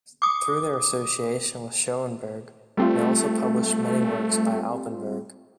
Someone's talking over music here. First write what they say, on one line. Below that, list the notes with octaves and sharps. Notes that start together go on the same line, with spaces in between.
Through their association with Schoenberg, they also published many works by Alban Berg.
D6 D#6
G3 A3 C4 F4